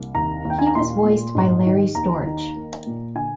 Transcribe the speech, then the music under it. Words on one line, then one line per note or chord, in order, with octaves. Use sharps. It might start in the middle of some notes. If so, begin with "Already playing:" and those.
He was voiced by Larry Storch.
Already playing: C2 A#3
D#2 A#5
D#2
G5
G#5
A#5
A#2 C6
A#2
G#2
D#3
D#2 A#5
D#3
A#3
A#2
D3 G#5